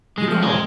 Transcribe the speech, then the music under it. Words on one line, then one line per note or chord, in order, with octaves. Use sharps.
You know how
G#3
F3 C4
G#3